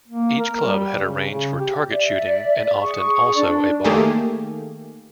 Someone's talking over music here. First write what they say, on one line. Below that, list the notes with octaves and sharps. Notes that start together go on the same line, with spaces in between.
Each club had a range for target shooting and often also a bar.
A#3
A#4
G3
C#3
C#3
G4
D5 E5
G#4 C#6
D4 D5
D#3 A3 A#3 G4 G#4